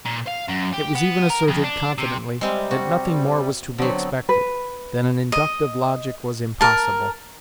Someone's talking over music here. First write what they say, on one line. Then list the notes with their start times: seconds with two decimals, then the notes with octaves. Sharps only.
It was even asserted confidently, that nothing more was to be expected,--that an inductive logic was impossible.
0.06 A#2
0.28 F5
0.49 F#2
0.74 G4
0.95 B3
1.30 A#4
1.48 F2
1.64 D4
1.98 C3
2.41 C3 G3 G#3 C4
2.71 F#4
3.78 D3 F#3 B3 C4
4.29 B4
5.32 D#5
6.61 A#4 A5